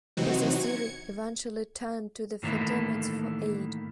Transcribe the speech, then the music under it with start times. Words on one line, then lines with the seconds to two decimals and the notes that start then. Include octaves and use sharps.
Basasiri eventually turned to the Fatimids for aid.
0.17 C3 E3 F#3 C4 D#4 F#4
0.61 G#6 C#7
2.43 A2 D#3 E3 A3 A#3